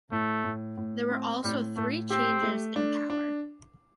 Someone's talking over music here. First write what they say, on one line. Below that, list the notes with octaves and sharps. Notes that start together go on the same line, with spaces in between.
There were also three changes in power.
A2 A3
A2
A2
C4
A2 G3
A2 A3
C4 G4
A3
D4
D4